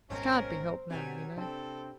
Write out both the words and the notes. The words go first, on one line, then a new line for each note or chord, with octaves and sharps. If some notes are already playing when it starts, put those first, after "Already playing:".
It can't be helped now, you know.
G#1 G#2 B2 C4 C#4 A#4
B2 F#3 G3 C4 G#5
C3 C4 D4 A4